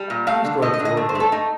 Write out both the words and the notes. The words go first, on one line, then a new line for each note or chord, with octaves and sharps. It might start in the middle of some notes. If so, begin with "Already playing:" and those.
He was going forward again.
Already playing: G3
A#2
A3 F5
D3
A3 D#5
D#5
D3
D#5
A3
C5
A3
A4
A3 D#4